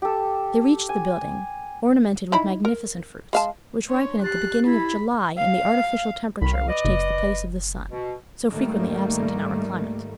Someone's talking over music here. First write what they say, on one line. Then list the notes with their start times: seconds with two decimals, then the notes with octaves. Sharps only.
They reached the building, ornamented with magnificent fruits, which ripen at the beginning of July in the artificial temperature which takes the place of the sun, so frequently absent in our climate.
0.02 G4 A4
0.89 G#5
2.32 D#4 E4 B5
2.65 A#4
3.33 G#3 F5 A5
3.89 D4 C#5 C6
4.22 G4 F#6 A6 C7
4.66 E4 B5
5.37 F5
6.42 C2 F#2 D#3 B5
6.53 F5
6.68 B4 D5 D#5
6.85 F#1
7.89 B2
8.51 G#2 D#3 G3 A3 A#3